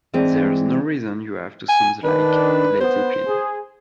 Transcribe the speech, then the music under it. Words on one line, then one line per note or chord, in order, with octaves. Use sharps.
There's no reason you have to sound like Led Zeppelin.
E3 G#3 C4 D4
G#5
D#3 D4 B4
B3 C5
G#4